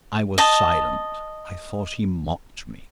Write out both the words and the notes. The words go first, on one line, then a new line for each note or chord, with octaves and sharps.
I was silent: I thought he mocked me.
D#5 A5